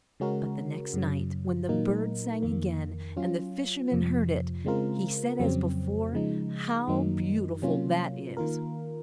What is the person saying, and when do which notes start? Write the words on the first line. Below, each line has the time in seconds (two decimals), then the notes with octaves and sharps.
But the next night, when the bird sang again, and the Fisherman heard it, he said as before, "How beautiful that is!"
0.20 C#3 G#3 C#4 F#4 A#4
0.94 F#2 C#3 F#3
1.69 A#2 F#3 A#3 D#4 A#4
2.43 F2 D#3 A#3
3.17 F#3 C#4 F4
3.91 F2 C3 F3
4.64 C#3 G#3 C4 F4 A#4
5.39 F2 C#3 F#3 C4
6.13 C#3 F3 G#3 D#4
6.87 F#2 D#3 F#3 A#3 D#4
7.62 C3 F#3 A#3 C#4 F4
8.37 D#3 A#3 F4 A#4